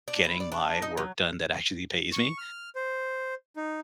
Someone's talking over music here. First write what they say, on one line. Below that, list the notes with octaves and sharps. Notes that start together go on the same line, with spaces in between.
getting my work done that actually pays me,
D4
E4
D5
D4
D#4
F#3
C#6
F6
C5
D#4